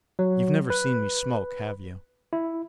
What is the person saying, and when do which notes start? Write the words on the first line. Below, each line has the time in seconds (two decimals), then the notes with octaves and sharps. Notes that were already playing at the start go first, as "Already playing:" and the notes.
You've never seen me smoke, have you?
0.19 F#3
0.70 B4
2.33 E4